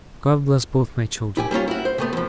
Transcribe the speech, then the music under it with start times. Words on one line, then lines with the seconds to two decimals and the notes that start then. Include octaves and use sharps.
God bless both my children!
1.37 E4 G4 G#5
1.51 G3 A#3 C#4 F4
1.68 E4 F#4
1.85 C5
1.98 C3 A3 B3
2.13 E2 F3